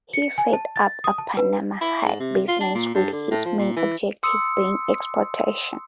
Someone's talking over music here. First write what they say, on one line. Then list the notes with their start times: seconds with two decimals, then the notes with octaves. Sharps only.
He set up a Panama hat business with his main objective being exportation.
0.13 C#7
0.38 G#5
0.53 A5
0.76 A6
1.04 D#6
1.18 A5
1.37 B4
1.81 E4
2.04 G#2
2.20 C3
2.48 F4
2.60 D4
2.75 A#2
2.94 G2
3.12 D3
3.31 A2
3.45 F3
3.59 A#2
3.76 E3
4.23 C6 D#6 E6 C#7